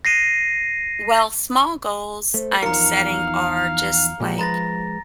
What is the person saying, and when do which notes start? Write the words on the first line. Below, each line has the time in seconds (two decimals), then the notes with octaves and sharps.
Well, small goals I'm setting are just, like,
0.05 A#6 C7 D#7
2.34 A3 C5
2.63 E2 F3 D#4 A#4 F5 A#5 C#7
4.20 A#2 F3 G#3 G4
4.39 G#3 B4 A#5 A6 A#6